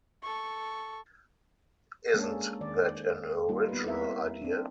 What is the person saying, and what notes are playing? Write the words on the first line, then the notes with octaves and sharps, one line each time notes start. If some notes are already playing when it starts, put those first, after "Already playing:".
Isn't that an original idea?
A4 C#6
G#3 A#3 C#4 D4 G#4 A4
D#3 D5
G3 A#3 D#4 F4
B3 B4
C4 E4 A#4 B4 E5 F5
C4 D4